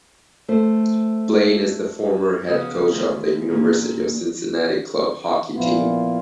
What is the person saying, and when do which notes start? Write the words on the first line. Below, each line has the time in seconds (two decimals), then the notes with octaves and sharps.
Blaine is the former head coach of the University of Cincinnati club hockey team.
0.48 A3 C5
2.48 C#3 B3 F#4 F5 D#6 E6
2.90 D2 D#3 G#4
3.50 A#2 A#3 C#4 D4
5.56 A#2 F3 B3 E4 F4